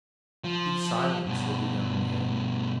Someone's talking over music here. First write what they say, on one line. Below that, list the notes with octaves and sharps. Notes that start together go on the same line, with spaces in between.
"Be silent," said the young man.
F3
G2 B2